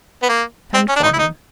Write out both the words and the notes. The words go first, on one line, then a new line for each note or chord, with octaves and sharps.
Send for him.
B3
A#3
C4
C#4
D4
D#4
E4
D#4